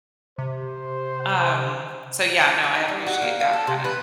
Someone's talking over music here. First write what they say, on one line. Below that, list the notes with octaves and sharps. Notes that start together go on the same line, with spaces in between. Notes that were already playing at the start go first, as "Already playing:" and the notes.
Um, so yeah, no, I appreciate that kinda
C3 C5
C#4
D#4
G3
F#4
A#3
F5
A4
C3
B4